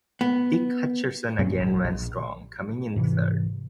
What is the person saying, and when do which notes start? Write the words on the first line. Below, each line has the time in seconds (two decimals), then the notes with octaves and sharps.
Dick Hutcherson again ran strong, coming in third.
0.21 B3
1.38 G2 A#2 F#3 C#4
1.60 G#1
1.84 A#1
2.96 G#2 C3 E3